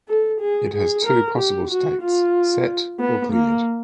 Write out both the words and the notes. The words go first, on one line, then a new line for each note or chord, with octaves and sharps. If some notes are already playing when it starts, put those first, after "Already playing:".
It has two possible states, "set" or "cleared".
A4
G#4
G#4
A#4
G4
F#4
F4
B3
A#3